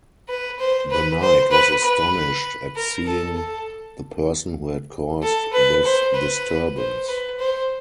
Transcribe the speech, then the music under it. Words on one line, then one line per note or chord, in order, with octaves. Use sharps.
The knight was astonished at seeing the person who had caused this disturbance.
B4
C5
B4
C5
B4
B4
A#4
A4
A4
A4
B4
C5
B4
C5
B4
C5